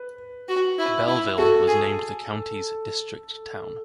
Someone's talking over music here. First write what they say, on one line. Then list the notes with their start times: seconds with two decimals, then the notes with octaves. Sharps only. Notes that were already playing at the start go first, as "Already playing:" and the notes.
Belleville was named the county's District Town.
Already playing: B4
0.49 F#4
0.79 E4
1.08 E4
1.38 F#4 A4
1.68 G#4